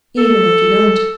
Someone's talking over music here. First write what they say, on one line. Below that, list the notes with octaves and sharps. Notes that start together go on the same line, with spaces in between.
Even if you don't.'
A4